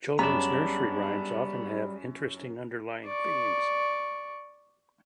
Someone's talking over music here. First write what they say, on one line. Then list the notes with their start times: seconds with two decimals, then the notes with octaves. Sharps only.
Children's nursery rhymes often have interesting underlying themes.
0.19 F#2 G3 B3 C#4 D4 G#4 A#5 B5
3.06 D5 C#6